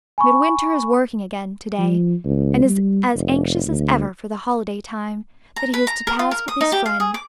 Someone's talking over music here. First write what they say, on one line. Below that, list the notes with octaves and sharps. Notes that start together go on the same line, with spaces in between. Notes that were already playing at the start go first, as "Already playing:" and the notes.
Midwinter is working again to-day, and is as anxious as ever for the holiday-time that he is to pass with his friend.
G#5 B5 C#6
F3
C#2
G3
F1
D2
A#5
B4
A#5
A#4
F4
A#4
D#6
D#4
G4
F5
G#4
D6